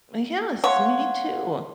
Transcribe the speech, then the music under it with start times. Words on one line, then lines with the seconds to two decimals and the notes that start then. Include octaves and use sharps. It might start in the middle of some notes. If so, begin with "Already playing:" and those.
Ah, yes, me too.
0.64 C#5 F5 F#5 C6